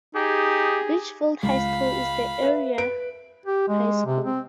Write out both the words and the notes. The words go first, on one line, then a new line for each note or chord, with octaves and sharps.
Litchfield High School is the area high school.
D#4 G4 G#4
C#2 F5 B5
B4 E5
B4 D7
G4
G#3
C3
C4